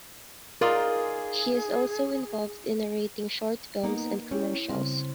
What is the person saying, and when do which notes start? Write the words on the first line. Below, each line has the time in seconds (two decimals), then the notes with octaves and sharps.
He is also involved in narrating short films and commercials.
0.61 D#4 F4 G#4 A#4 D5
3.83 A#3 B3 D#4
4.31 C#4 E4 G4
4.69 C#3 G3 C4